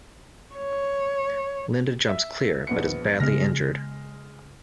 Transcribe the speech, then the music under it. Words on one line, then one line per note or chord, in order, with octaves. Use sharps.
Linda jumps clear, but is badly injured.
C#5
E5
A#1 B3 C#7
C#3 G#3 B3 F6 A#6